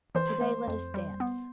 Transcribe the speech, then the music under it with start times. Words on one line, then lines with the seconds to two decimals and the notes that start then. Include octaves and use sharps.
But to-day let us dance.
0.15 E3 C5
0.41 A3
0.68 F2
0.94 G3
1.20 B3